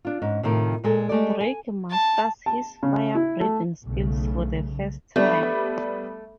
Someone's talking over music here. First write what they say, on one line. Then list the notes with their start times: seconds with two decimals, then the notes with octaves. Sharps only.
Drake masters his fire-breathing skills for the first time.
0.05 D4 F4
0.22 G#2 C#4
0.43 A2 C3 D#3 F3
0.84 A#2 G#3 A4
1.09 G#3 A3 G4 D5
1.41 G#5
1.90 A5
2.46 A5
2.83 C#3
3.15 E4
3.40 A3
3.86 B1 C#3 A3
5.16 G3 A3 B3 D4